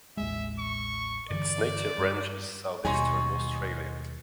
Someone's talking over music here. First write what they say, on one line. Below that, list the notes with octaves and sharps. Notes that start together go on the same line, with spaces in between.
Its native range is Southeastern Australia.
A1 D#2 G#3 E5
C#6
G2 D3 E3 D5
G2
D#2 B2 G3 D#4 F#4 C#5 G#5 C6